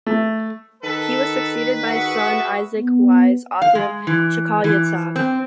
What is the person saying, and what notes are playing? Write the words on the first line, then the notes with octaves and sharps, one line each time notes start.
He was succeeded by his son, Isaac Weiss, author of "Chakal Yitzchak".
A3
D#3 A4 B4
F#4 G#4 E5 F#5
B3
F5
G#3
E3
E3
C4